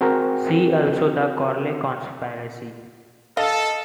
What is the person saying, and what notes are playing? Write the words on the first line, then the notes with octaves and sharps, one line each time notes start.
See also "The Corley Conspiracy".
C4 F#4 G#4 A#4 G5
A4 D#5 F5